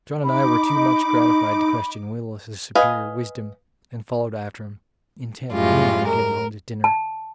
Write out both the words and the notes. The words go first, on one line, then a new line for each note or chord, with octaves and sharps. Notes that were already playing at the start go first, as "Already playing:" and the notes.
John and I were too much gratified to question Willis's superior wisdom and followed after him, intent only on getting home to dinner.
D#4 B5 D6
B4 D#5 F5 G#5
F#2 A2 G3 G#3 F4
A#4
A5